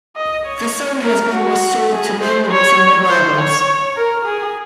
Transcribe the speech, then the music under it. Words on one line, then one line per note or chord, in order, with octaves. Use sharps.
The song has been restored to many recent revivals.
D#5
C#5
A#4
F#4
G#4
C5
C#5
C5
C#5
A#4
G#4